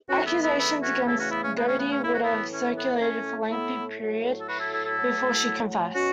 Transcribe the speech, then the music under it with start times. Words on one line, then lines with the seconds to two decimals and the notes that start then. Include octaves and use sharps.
Accusations against Gowdie would have circulated for a lengthy period before she confessed.
0.09 E2 E3 A3 C#4 F#4
0.25 B3 E4
0.42 B3 E4
0.58 B3 E4
0.82 C#4 F#4
1.06 E2 C#3 E3 A3 E4 A4
1.19 C#4 F#4
1.31 B3 E4
1.43 C#4
1.55 B3
1.67 C#4
1.79 B3
1.92 C#4
2.04 A2 E3 A3 E4
2.13 F#4
2.23 B3 E4
2.53 C#4
2.77 B3
3.01 A2 A3 C#4
3.51 B3 E4
3.99 A2 F#3 A3
4.39 A4
4.48 F#4 B4
4.60 E4 A4
4.72 E4 A4
4.84 E4 A4
4.97 A2 F#3 A3
5.94 B2 C#4 F#4